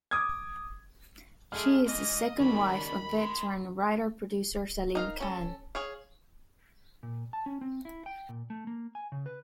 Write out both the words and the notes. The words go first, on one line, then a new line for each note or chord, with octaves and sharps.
She is the second wife of veteran writer-producer Salim Khan.
D6 D#6 G#6
G#2 G#3 A3 G#4 F6
G#2 E3 D#5
D#2 C#3 D4 B5
G#3
D#4 A#4 F5
C#4 A4
G#4 C#5 F5
A#2
A5
C#4
C4
E4
G5
A#2
A3
A#3
G#5
C#3
B4